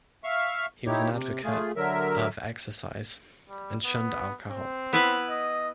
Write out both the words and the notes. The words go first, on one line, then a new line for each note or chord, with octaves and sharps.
He was an advocate of exercise and shunned alcohol.
E5 F5 C#6 F6
D#4 E4 G4 C#5
C3
A3 F4 G#4
D3 F#3 A#4 E5
G3
B3
C4
B3 E4 B4
D#5